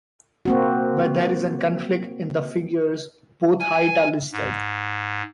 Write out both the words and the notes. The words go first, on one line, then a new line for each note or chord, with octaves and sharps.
Where there is a conflict in the figures both heights are listed.
A#3 C4 F#4
G#5
G#2